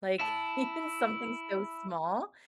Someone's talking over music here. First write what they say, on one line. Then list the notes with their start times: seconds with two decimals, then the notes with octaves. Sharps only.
Like, even something so small.
0.20 E4 A5